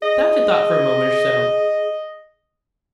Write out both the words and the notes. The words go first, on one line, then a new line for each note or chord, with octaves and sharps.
The doctor thought for a moment or so.
G#4 D#5